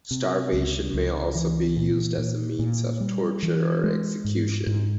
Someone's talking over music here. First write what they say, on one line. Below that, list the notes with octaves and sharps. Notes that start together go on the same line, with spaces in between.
Starvation may also be used as a means of torture or execution.
C3
C#2
C#2
E3
A#2
A#2
A#2
G3
E3
G#3
G#2
G#2